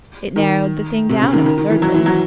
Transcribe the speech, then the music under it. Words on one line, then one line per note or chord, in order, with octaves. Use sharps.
It narrowed the thing down absurdly.
D#3
C3
C#3
D#3
D#3
D#3
E3
F#3
E3
F#3